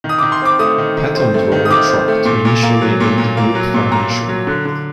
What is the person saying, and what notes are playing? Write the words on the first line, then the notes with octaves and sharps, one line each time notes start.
Paton drove a truck to initially aid the group financially.
D#3
D#6
D#3 D6
C6
C4 D6
A3 D#6
D#3
D#3
C4
A3
D#3
D#6
D#3 D6
C4
A3
A#2
A#2
A#3
F#3
A#2
A#2
A#3
F#3
A#2
A#2 A#5
A#3
F#3
D3
D3